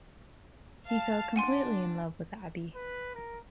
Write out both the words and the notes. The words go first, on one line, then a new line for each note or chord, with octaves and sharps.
He felt completely in love with Abby.
F5 A5
D4 F#5 G#5 C6
B4
A#4